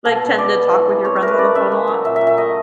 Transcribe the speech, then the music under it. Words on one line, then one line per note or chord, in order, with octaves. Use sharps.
like tend to talk with your friends on the phone a lot?
B2 A4
B2
B3 D5
G#3
E3
E3
C4 C#5
C5
A3 A#4
B4
C#3 D5
C#3 E5
A#3
F#3
A#2 E5
E5
A#2
E5
A3 D#5